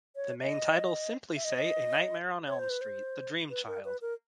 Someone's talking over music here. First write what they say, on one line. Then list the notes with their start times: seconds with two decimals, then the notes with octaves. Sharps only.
The main titles simply say "A Nightmare on Elm Street: The Dream Child".
0.16 C#5
0.42 D#5
1.36 E5
1.44 D#5
2.47 C#5
2.59 C5
2.70 B4
2.81 C5
3.50 B4
3.67 A#4
3.85 B4
4.01 A#4